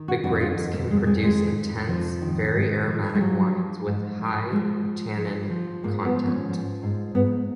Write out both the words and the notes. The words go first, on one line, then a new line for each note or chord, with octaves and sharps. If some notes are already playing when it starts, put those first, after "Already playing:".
The grapes can produce intense, very aromatic wines with high tannin content.
Already playing: D#3
F#4
F2 F#4
F4
F2
A#3
F2 G#3
G#3
D#3 G#3
F2
F2 F3
D#3
G#2
F3
G#3
F3 F#3
F3
G#2
F3
F3 G#3
F3
F3
F3
G#2 A#3
B3
F3
C#4
F3
G#2
G#2 B3